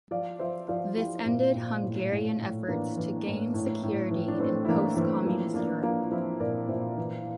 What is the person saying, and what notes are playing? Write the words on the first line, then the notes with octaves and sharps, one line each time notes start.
This ended Hungarian efforts to gain security in post-communist Europe.
F3 D5 F5
F3 C5 E5
F3 D5 F5
F3 E4 G4
A#2
A#2
A2
A2
A2
E3 A#3 D4
E3
A2
A2
A2
E3
D4
E3 A3 C4
E4
E3 A#3 D4
E3 A3 C4
F3 A#3
F3 A#3 D4
F3 A#3 D4
F3 C4 E4
A#2 A#4 D5
A#2 C5 E5
E3